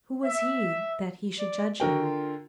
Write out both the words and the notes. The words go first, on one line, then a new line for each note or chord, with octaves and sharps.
Who was he that he should judge him?
E5
D5
D3 F#4 A#4 G5
F4